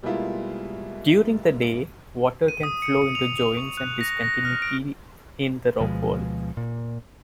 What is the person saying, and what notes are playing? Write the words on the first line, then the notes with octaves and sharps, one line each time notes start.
During the day, water can flow into joints and discontinuities in the rock wall.
B2 G3 G#3 A#3 E4 F4
D#7
D#6
C#7
D#6
F7
F7
C#6
F#6
A#6
A#6
F6
D7
D2 B2 F3 G#3
A#2